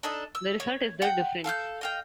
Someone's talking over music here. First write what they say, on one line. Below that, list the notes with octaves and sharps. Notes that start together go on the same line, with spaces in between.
The result is the "difference".
D4 D#4 A4 D#5
E6
C#5
F#5 G5
A4 F5 F6 G6
D#5 F5 G5